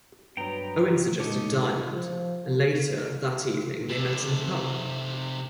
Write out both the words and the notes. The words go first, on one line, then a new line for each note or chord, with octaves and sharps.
Owen suggested Diamond, and later that evening they met in a pub.
G2 F#3 B3 G5 A#5
A#2 G#3 A3 C#4 D#4 A5 D6
F3
C3 A4